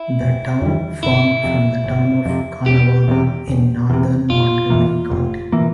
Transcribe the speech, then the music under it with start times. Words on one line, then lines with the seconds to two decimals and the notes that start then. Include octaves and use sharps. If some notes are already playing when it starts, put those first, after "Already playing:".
The town formed from the town of Caughnawaga in northern Montgomery County.
Already playing: E4
0.21 F1
0.61 F2 E3 G3
1.03 G1 E4
1.43 F2 C3
1.84 G1
2.26 F2 C3
2.66 E1 G4
3.08 E2 C3
3.48 E1
3.90 E2 C3
4.29 F1 F4
4.70 F2 E3 A#3
5.11 F1
5.52 E3 A#3